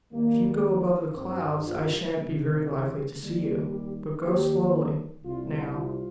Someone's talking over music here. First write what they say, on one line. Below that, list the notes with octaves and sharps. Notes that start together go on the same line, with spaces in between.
If you go above the clouds I shan't be very likely to see you. But go slowly, now.
D#2 D#3 G3 A#3
G2 G3 C4
F4
C2 C3 D#3 G3
G4
D#2 D#3 G3
G4
D#2 D#3 G3 G4
C2 C3 G3 F4
F4